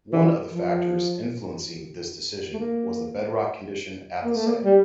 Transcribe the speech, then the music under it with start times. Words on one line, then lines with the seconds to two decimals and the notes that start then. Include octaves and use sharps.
One of the factors influencing this decision was the bedrock condition at the site.
0.13 E3
0.54 F3
2.53 A3
2.59 A#3
4.24 A#3
4.36 A3
4.47 A#3
4.65 G3